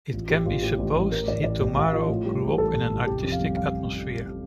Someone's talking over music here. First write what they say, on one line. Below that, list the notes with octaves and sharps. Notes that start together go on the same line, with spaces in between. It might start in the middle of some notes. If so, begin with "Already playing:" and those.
It can be supposed Hitomaro grew up in an artistic atmosphere.
A1 F4
A1 G4
A1 F4
A2 G4
A1
A1
A2 A#4
A1 D5
A1 D5
A1 G4
A1 F5
F3 D#5
A2 F4
G3 G4
A1 G4
A1 A4
A1
A1
F1 G4
F2
F5
G3
F5